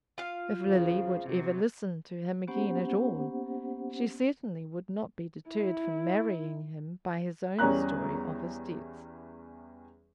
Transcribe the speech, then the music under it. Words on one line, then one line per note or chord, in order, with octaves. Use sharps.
If Lily would ever listen to him again at all, she certainly would not be deterred from marrying him by his own story of his debts.
F4 F5
E2 C#3 F3
C3 F#3
A#3 B3 C#4 G4 C5 F#5
E4
E2 G3 C#4 A#5 F#6